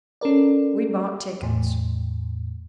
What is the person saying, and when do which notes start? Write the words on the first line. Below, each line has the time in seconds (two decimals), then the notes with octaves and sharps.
We bought tickets.
0.21 C#4 A4 A#4 D5
1.42 E2 A2